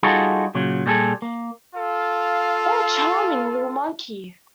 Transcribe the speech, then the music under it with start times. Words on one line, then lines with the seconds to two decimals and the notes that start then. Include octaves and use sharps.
What a charming little monkey!
0.03 G3 D#4 F4 F#4 G#4 A4
0.55 A#2 C#3 F#3
0.86 A#2 G3 G#4 A4
1.22 A#3
1.76 F4 A4 F5